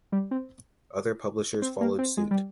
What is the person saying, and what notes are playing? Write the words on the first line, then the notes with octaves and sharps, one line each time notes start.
Other publishers followed suit.
G3
C4
C4
A#3
C4
G#3
G3